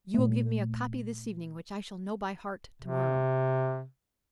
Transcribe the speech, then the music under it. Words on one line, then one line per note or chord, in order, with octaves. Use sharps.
"You will give me a copy this evening, which I shall know by heart tomorrow."
A#2 A3
C3